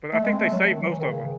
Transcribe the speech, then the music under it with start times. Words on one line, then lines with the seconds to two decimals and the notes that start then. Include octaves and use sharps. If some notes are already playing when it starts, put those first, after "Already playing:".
But I think they saved most of 'em.
0.14 A3
0.23 G#3
0.32 C4
0.43 A3
0.52 F#3
0.71 D#3
0.81 F#3
0.90 E3
1.00 D#3
1.10 C#3